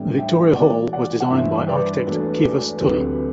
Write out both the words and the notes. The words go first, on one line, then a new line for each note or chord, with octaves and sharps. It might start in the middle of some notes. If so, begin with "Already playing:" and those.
Victoria Hall was designed by architect Kivas Tully.
Already playing: A1 A2 G3 B3 D4 E5 G5
E5 G5
E1 E2 B2 D5 F#5
D5 F#5
F#5
G2 E3 G3 C5 E5
B4 D5
E1 E2 B2 A3 D4
D2 D3 F#3 C4 G4 B4